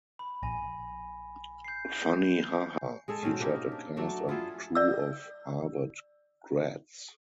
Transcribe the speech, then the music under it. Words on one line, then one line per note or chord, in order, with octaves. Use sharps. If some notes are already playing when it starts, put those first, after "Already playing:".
"Funny Ha Ha" featured a cast and crew of Harvard grads.
B5
A#1 G#5 A#6
G6 C7
G#3 G#4 A4
B2 C4 C#4
A#3 D#4 G4
D4
F#3 A3 D4
E4 F4 G#4 A4
D5 E6